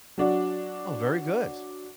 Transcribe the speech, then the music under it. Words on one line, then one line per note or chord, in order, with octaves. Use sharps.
Oh, very good.
F#3 D4 F#4